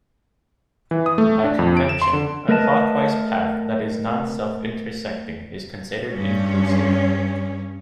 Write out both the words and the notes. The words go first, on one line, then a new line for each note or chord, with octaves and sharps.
By convention, a clockwise path that is non-self-intersecting is considered inclusive.
E3
D#6
A3
D4
F2
D7
E7
C6
D3
A3 A#4 B4 D#5 G#5 A5
G2 C#4